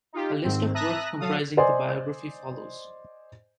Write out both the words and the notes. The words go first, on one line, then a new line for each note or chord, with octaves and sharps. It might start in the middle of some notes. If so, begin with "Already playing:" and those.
A list of works comprising the "Biography" follows.
D#4 F4 G4
G#2 D#3 C4
E5 A5 A#5 D#6 F#6 A#6
F#3 A4 F5 D#6
C5 D5 D#5 G#5 C6